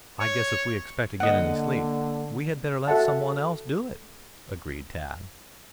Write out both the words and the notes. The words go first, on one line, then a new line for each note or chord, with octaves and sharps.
"I guess if we expect to get any sleep we had better let some one else do it," agreed Tad.
C#5
D3 A#3 D#5 F#5
F#4 A4 E5 F#5 A5